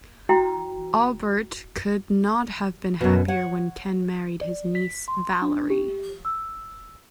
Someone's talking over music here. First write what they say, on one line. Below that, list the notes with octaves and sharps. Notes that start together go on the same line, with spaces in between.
Albert could not have been happier when Ken married his niece Valerie.
E4 F#4 G5 A#5
F#2 B2
C#5 F#5
D5
B6
C6
D4
G4
E6